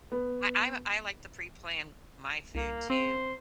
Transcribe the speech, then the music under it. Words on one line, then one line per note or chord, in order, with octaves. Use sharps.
I I'm a I like to preplan my food too,
B3
C2 A#3
C4 C5